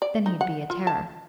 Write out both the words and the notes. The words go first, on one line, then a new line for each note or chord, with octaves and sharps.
Then he'd be a terror.
D5
D#4
F#5
F4
A5